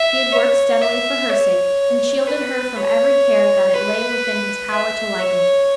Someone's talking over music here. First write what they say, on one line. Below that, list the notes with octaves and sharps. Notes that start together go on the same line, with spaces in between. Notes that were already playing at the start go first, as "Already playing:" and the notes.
He had worked steadily for her sake, and shielded her from every care that it lay within his power to lighten.
Already playing: E5
C#5
E5
C#5
B4
C#5
B4
E5
C#5